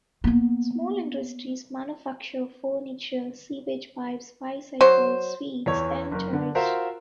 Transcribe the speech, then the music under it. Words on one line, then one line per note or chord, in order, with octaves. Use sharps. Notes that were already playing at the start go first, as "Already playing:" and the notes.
Small industries manufacture furniture, sewage pipes, bicycles, sweets and toys.
A#3 B3
F#3 C5
E2 E3 C#5
F#1 A#4
D3
F4 F#4 A#4 C5 E5 F5